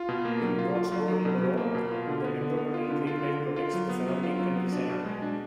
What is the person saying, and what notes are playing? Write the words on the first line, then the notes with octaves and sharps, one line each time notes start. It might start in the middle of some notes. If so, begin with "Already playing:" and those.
In Broxbourne borough, the Metropolitan Green Belt protects the surrounding countryside.
Already playing: F4
B2
A#3
F#3
F4
F4
F#3
F#3
B2
B2
A#3
B2
F4
D3
B3
D3
B3
F4
D3
F4
D3
D3
F4
F#3
B3
F#3
F4
F#3
B3
D4
B2
G#3
D4